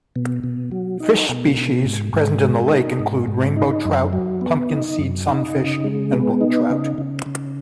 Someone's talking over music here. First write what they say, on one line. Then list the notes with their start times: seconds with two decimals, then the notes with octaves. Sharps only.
Fish species present in the lake include rainbow trout, pumpkinseed sunfish, and brook trout.
0.16 B2
0.44 B2
0.71 F#3
1.00 D#4
1.29 B2
1.57 B2
1.86 G#2
2.14 G#2
2.43 G#3
2.71 D#4
2.99 G#2
3.27 G#2
3.56 D#4
3.85 F#2
4.13 F#3
4.41 B3
4.70 D#4
4.98 F#2
5.27 D#4
5.55 C#3
5.84 G#3
6.12 B3
6.41 D#4
6.70 C#3
6.98 C#3
7.26 C#3